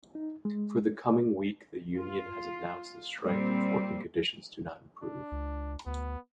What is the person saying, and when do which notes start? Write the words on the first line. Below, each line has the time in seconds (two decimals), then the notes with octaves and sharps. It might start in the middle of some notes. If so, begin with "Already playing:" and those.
For the coming week, the union has announced a strike if working conditions do not improve.
0.15 D#4
0.45 G#3
1.97 F4
3.25 A#2 G3 C4
5.02 D4
5.32 C#2
5.86 D2 B3